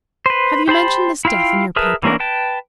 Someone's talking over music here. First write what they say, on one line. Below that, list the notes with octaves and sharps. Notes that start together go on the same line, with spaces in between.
"Have you mentioned this death in your paper?"
B4 C5
G4 C5 A5 B5
E4 F4 F5 G5
G#4 A#4 B4 E5 A5
E3 A#3 C#4 D4 A#4
B4 G5 A5